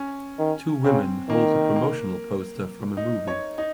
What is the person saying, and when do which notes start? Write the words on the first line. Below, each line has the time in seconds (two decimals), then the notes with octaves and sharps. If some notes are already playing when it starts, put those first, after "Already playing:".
Two women hold a promotional poster from a movie.
Already playing: C#4
0.39 D#3
0.84 C#3 C4
1.29 D#3 A#3
1.76 A#3
2.97 D#4
3.28 C#5
3.58 D#4